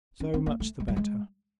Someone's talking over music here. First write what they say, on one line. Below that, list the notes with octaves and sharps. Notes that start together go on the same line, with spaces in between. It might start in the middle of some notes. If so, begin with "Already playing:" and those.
"So much the better."
C#4
C4
A#3
A3
G#3
G3
G#3